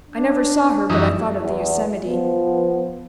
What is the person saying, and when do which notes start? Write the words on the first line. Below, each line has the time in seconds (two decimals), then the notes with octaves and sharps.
I never saw her but I thought of the Yosemite.
0.09 D4
0.90 F#2 E3 D#4
1.39 E2
2.06 F3 B3